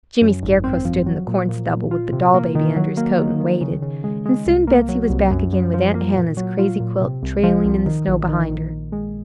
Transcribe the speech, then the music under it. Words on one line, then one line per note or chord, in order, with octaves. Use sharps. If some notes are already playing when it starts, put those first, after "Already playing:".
Jimmy Scarecrow stood in the corn-stubble, with the doll-baby under his coat and waited, and soon Betsey was back again with Aunt Hannah's crazy quilt trailing in the snow behind her.
F#2
G#1
C4
F3
F#3
A#2
A#2
A#2
F4
C3
A#3
D#3
F#3
A#3
D#3
D#3
C#3
C#3
G#3
G#3
C2
A#3
F#3
C2
F#2
F#2
F3
A#3
A#2
F#3
F4
A#2
C3
C2
F3
C2
D#3
A#1
D#3
A#1
D#3
G#3